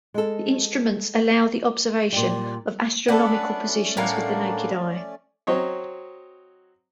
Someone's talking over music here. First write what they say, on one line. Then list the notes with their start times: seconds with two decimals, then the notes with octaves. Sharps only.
The instruments allow the observation of astronomical positions with the naked eye.
0.14 G#3 A4
2.12 A#2 G3
3.08 A3 B3 C#4 D4 A4 B4 D5 F#5
3.97 A2 A#3 D4 A#4 F5 F#5
5.47 F#3 C4 C#5 D#5